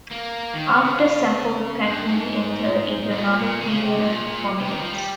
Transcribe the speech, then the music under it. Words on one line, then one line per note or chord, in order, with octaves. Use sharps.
After "Saffo", Pacini entered into another period of prominence.
A#3
D#3
C#3
C#3
G2
G#2
G#2
A#2
A#2
C#3
C3
G#2
A#2
A#2
C3
D#3
F3
G3